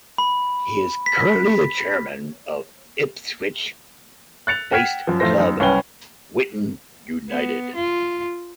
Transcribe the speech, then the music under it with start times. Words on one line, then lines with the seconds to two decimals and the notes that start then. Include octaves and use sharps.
He is currently chairman of Ipswich-based club Whitton United.
0.18 B5
1.06 B6
4.47 F#6 A6 C#7 F7
4.71 F#5 G5 F6 G#6 B6 E7
5.07 F#2 F3
5.20 F2 A2 A3 F4 C5 A#6
5.38 F#2 D#4
5.59 F#1 C2 C#4 B4 G5 G7
7.29 B3
7.75 F4